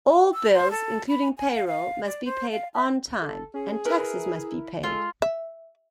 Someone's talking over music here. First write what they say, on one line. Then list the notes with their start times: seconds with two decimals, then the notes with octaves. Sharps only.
All bills, including payroll, must be paid on time, and taxes must be paid.
0.34 E6
0.53 C5
0.71 A4
1.09 B5
1.38 G#5
1.55 F5
1.67 F5
2.05 D5
2.25 C5
2.52 F5
2.74 E5
3.22 A4
3.54 C#4 G#4
3.85 E4 A#4 B4
4.83 G#3 F4 A4
5.22 E5